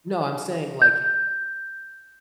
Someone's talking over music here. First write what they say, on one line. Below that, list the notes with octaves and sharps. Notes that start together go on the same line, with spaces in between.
No, I'm saying, like,
G6